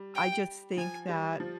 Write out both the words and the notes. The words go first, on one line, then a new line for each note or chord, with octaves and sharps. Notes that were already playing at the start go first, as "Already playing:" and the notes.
I just think that,
Already playing: G3
G5
F3 G#5
G3
F3